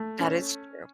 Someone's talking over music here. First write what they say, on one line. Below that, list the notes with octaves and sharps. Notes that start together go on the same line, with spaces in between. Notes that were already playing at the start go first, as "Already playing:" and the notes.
That is true.
Already playing: A3
C#4